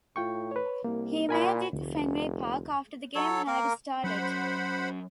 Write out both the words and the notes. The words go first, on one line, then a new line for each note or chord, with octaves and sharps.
He made it to Fenway Park after the game had started.
A2 F4 G5 C#6
B4 C#5
C2 A#3
A#2 A#4 G#5 B5
F1 D2
F#3 A4 C#5
A#3 A#4
F#3 C#4 C5 F#5 B5